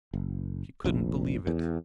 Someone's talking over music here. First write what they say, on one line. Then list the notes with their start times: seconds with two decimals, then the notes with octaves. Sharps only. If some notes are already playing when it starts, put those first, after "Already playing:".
She couldn't believe it.
0.14 F#1
0.84 F1 A#1
1.47 E2